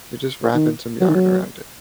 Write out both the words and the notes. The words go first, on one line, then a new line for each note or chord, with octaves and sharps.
you're just wrapping some yarn around it,
D#3
F#3
D#3
F#3